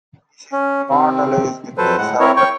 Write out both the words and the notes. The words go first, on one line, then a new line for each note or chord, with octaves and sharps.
This is not always the case, however.
C#4
C3 D#3 C4
F2 F#3 A4 B4 C5
A2 G#3 F#5
C4 E4 A#4 C#5
C#5 G5 C#6